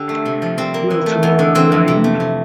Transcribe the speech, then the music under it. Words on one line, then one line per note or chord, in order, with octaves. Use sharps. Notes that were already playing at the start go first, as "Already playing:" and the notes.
Will tomorrow rain?
Already playing: D3 G4
A3
C3
F3
G3 C4
A#3
E3
A3
E2
D3
E3 C4
F2
C3
A3
C3